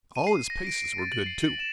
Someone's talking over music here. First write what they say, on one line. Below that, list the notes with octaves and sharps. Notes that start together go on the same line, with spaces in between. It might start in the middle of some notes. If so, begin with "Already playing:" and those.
All his paces were good too.
D#7
C7
A#6
D7
D7
A6
F#7
C7
F#7
E7